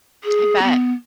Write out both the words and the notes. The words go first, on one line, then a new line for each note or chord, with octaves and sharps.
I bet.
G#4
B3